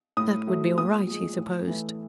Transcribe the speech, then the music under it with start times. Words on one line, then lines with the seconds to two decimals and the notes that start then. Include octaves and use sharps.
That would be all right, he supposed.
0.17 A2 D#6
0.47 F#3 A3
0.78 A#2 D#6
1.07 F3 G#3
1.38 A2
1.68 E3 A3